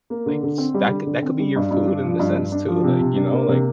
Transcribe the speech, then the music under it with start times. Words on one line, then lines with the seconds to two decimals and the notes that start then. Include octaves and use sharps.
like, s that could that could be your food in the sense too, like, you know? Like,
0.10 A#3
0.26 D3
0.43 D3
0.58 C4
0.74 G3
0.91 D3
1.07 D3
1.23 C4
1.39 G3
1.56 G2
1.71 G2
1.87 D4
2.03 F3
2.19 G2
2.36 G2
2.52 D4
2.68 F3
2.84 C3
3.01 C3
3.16 D4
3.33 A#3
3.49 C3